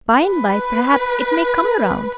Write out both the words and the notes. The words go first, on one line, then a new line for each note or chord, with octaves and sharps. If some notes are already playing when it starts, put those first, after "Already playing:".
By-and-by, perhaps, it may come round.
B4